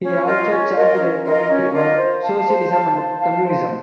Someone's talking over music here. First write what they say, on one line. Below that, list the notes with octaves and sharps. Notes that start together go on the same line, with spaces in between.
He also chaired their Committee on Socialism and Communism.
C#4
F4 A#4 D#5
C#4
F4 A#4 D#5
C#4
F4 A#4 D#5
C#4
F4 A#4 D#5
C5
F5 A5
C5
F5 A5
C5
F5 A5
C5